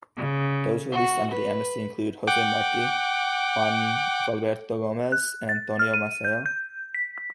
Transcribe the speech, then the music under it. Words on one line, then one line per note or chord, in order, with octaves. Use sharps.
Those released under the amnesty included Jose Marti, Juan Gualberto Gomez, and Antonio Maceo.
C#3
F#4
B4
F#5 G5 D6
F#6
A6
F6
D#7
G6
G6
B6